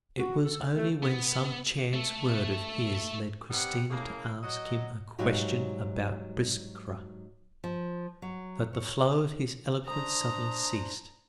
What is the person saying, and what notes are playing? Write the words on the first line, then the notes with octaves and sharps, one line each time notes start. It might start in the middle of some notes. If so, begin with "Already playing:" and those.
It was only when some chance word of his led Christina to ask him a question about Biskra, that the flow of his eloquence suddenly ceased.
F#4
A4
A3
B3
A3 A4
C3 G3 B3 F#5
A2 C#3 A#3
F#3 D#5
G#2 F#3 G3 D#4 F4 F#4
F3
F#3
C#5
D4 C5 A#5 D#6